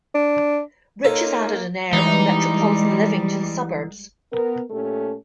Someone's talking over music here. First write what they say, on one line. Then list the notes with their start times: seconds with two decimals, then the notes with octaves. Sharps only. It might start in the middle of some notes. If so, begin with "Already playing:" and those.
Rich's added an air of metropolitan living to the suburbs.
0.14 D4
1.05 A#3 D#4 F4 A4 C#5
1.93 E3 G3 G#3 D#4
4.32 B3 A#4
4.71 A#2 A3 C#4 G4 A4